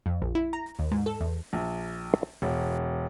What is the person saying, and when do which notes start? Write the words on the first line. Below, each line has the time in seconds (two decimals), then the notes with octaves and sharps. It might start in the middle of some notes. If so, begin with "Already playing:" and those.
Buildings can be destroyed if a monster directly attacks or is thrown into it.
0.06 F2
0.22 A#1
0.35 E4
0.53 A#5
0.79 D#2
0.92 G#2
1.06 A4
1.21 E2
1.53 A#1
2.42 E1